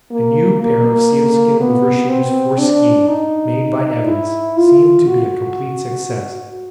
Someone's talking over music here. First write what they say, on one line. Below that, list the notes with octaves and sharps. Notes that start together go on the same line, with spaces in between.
A new pair of sealskin overshoes for ski made by Evans seem to be a complete success.
A#3
A#3
B3
C4
D4
D#4
E4
F4
F#4